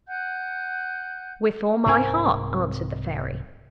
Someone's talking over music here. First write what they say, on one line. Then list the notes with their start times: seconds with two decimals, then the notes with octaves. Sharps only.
"With all my heart," answered the fairy.
0.08 F#5 G#5 F#6 G6
1.86 C2 G#2 C4 A#4 G#5